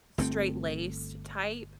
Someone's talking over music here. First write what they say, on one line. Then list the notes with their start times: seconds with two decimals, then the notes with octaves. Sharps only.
straight-laced type,
0.18 G1 A3 C4